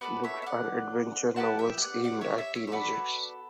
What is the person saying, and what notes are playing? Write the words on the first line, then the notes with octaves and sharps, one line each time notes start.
The books are adventure novels aimed at teenagers.
B3 F#4 A4 B4 D5
C#5 E5
E5
D5 F#5
B3 D4 G4 F#5 A5
E5 G5
G5
D5 F#5
D5 F#5
C#5 E5
C#5 E5
C#5 E5
E5
B3 F#4 A4 B4 D5